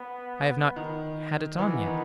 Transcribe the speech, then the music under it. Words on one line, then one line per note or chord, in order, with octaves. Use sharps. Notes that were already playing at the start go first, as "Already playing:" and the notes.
I have not had it on yet.
Already playing: B3
D#3
E3 B3
D#3